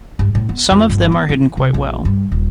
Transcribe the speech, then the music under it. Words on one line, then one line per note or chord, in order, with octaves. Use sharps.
Some of them are hidden quite well.
G2
A2
B3
F2
G1
B3
E3
C3
A#1
G2
D#1